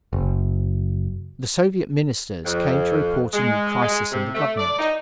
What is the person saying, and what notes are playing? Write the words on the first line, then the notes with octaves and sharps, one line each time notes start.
The Soviet ministers came to report a new crisis in the government.
F#1
F2
G#3
G#3
C3
A3
D5
D#4